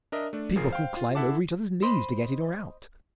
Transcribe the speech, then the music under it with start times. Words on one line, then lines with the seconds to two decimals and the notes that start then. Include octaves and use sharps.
People can climb over each other's knees to get in or out.
0.12 D4 A#4 D#5 E5
0.33 A3 D4
0.56 G#1 F3 G#4 A#4 C7
0.70 C5 F5 G5
0.97 F4
1.15 E4 A4 E5 F#5 A5 D6
1.82 C5 D#5 B5